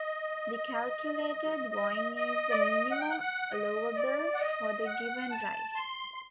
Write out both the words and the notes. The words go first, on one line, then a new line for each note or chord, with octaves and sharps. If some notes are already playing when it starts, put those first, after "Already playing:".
The calculated Going is the minimum allowable for the given Rise.
Already playing: D#5
D#5
D#5
D5
D#5
F#5
G5
F#5
F#5
D#5
D5
F#5
D#5
F#5
A5
C6
C6